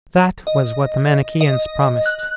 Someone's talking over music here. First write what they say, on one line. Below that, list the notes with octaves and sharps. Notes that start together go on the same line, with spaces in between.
That was what the Manicheans promised.
D#5
D#5
F#6